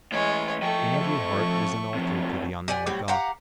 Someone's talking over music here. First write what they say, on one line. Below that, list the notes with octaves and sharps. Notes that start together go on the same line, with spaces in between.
In every heart was an altar to the Unknown God.
A2 E3 G#3 C#5
F3 A3 D#5 G5 C#6
F2
F#2 C3
G4 D5 F#5 G#5
A2 F#3 G3 C4
G4 F5 F#5 A#5